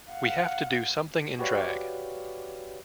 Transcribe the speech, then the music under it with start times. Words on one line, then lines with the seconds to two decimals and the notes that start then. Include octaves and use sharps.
We have to do something in drag.
0.11 F5 F#5
1.39 F#4 G4 B4 C#5 D5 F5